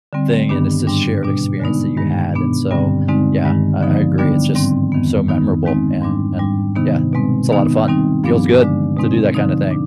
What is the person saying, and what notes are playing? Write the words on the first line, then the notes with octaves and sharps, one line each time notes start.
thing, and it's this shared experience that you had, and so, yeah, I I agree. It's just, so memorable, and, yeah, it's a lot of fun. Feels good to do that kinda thing.
D3 G3 C4
G2 D#3 B3 D4
G#2 G3 D4
B2 G3 D4
D3 G#3 B3 D#4
G2 D#3 G#3
B2 B3 D4
G2 D3 G3 C4
D3 G#3 C4 D#4
G2 D#3 G#3
D3 F3 B3 D#4
D3 G3 B3 D4
G#2 D#3 G3 C4
F2 D#3 B3
D#3 B3 D#4
D#3 G#3 C4 D#4
G#2 G3 D4
G#2 G3 D4
C3 D#3 B3 D#4
B2 G#3 C4
D#3 B3 D#4
D#3 G3 C4 D#4
G2 F3 B3 D4
D3 G#3 D4
B2 G#3 C4 D#4
D3 F3 C4 D#4
D4